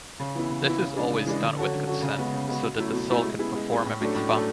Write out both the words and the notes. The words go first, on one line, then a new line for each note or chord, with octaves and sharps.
This is always done with consent, so that the soul can perform a mitzvah.
C#3
E3 B3 E4
C#3
E3 B3 E4
C#3
E3 G#3 D4 G#4
C#3
E3 G#3 D4 G#4
D3
F#3 C#4 F#4 A4
D3
F#3 C#4 F#4 A4
C#3
G#3 B3 F#4
C#3
G#3 B3 F#4
B2
F#3 A3 E4
B2
F#3 A3 E4
G#3
B3 E4 G#4
G#3
B3 E4 G#4
A2
F#3 A3 D4 A4
A2
F#3 A3 D4 A4